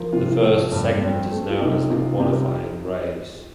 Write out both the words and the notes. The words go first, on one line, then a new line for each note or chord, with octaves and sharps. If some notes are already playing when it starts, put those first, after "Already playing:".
The first segment is known as the Qualifying Race.
Already playing: F3 A#4
C3 F4
F4
A3
G2
C4
A3
F4
C3 D#4
C3 F4
C3 G4